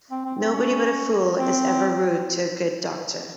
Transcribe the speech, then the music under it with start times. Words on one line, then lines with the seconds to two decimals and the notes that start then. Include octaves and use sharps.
Nobody but a fool is ever rude to a good doctor.
0.11 C4
0.25 C4
0.40 C4
0.53 C#4
1.38 C4